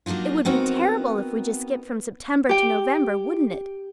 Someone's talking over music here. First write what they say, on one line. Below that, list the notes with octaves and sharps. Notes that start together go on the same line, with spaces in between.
It would be terrible if we just skipped from September to November, wouldn't it?
F#3 A#3 D4 D#4 F4
B3 C4 D#4 F#4 A#4
G4 G5